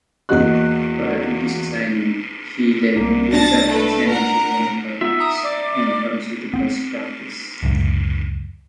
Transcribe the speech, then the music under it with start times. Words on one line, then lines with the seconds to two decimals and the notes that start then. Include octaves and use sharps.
Prior to this assignment, he led Booz-Allen's energy, chemicals and pharmaceuticals practice.
0.29 E2 A#3 F#4 D#5 F#6
2.96 C2 A#3
3.33 D4 A5 A6 A#6
3.69 A3 A4 B4
4.08 D4 A#4 F#5 A#5
5.01 B3 D#4 F4 E5
5.20 A#5 D#6
5.43 D5
6.54 B3 C4
7.62 D1 C#2 F#2